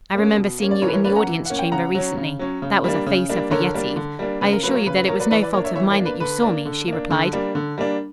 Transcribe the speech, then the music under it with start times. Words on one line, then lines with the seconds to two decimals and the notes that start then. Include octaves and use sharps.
'I remember seeing you in the audience chamber recently.' That was a facer for Yetive. 'I assure you that it was no fault of mine that you saw me,' she replied.
0.15 A#3 C#4
0.37 B2
0.60 A#3 C#4
0.71 D5
0.82 E3 A#4 C#5
0.88 B4
0.93 A#4 C#5
1.04 A#3 C#4 B4 D5
1.16 F#5 A#5
1.27 E3
1.45 A#3 C#4 F#5
1.59 G5
1.72 C#3 F#5 A#5
1.95 F#3 C#4
2.17 C#3
2.39 F#3 C#4
2.62 C#3
2.84 G3 A#3 D4
3.06 C#3
3.29 G3 A#3 D4
3.51 D3 A#4 C#5
3.74 G3 A#3 D4
3.96 D3
4.19 G3 A#3 D4
4.41 C#3 B4
4.52 A#4
4.63 F#3 A#3 B4
4.75 A#4 C#5
4.86 C#3 B4
4.97 B4
5.08 F#3 A#3 A#4 C#5
5.20 B4 D5
5.31 E3 B4 D5
5.42 B4 D5
5.53 A#3 D4 A#4 C#5
5.64 C#5 E5
5.76 E3 C#5 E5
5.91 A#4 C#5
5.98 A#3 D4
6.05 B4
6.20 D3 B4
6.43 A#3 D4
6.65 D3
6.88 A#3 D4
7.10 D3
7.33 G3 A#3 D4
7.55 D3
7.78 G3 A#3 D4